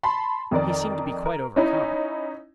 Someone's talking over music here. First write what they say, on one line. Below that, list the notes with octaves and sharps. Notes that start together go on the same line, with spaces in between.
He seemed to be quite overcome.
A5 B5 C6
F2 D#3 A#4 D5
A#4
C#4 D#4 E4